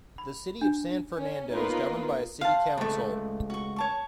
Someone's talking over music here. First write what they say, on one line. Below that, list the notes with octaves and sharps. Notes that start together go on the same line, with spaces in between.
The City of San Fernando is governed by a city council.
B5
D4
C#4
A#3 B3 D#4 F4 A#4 B4
C5 F5 F#5 A5
C#2 A3
F#4 C#6
C#5 A5 C#6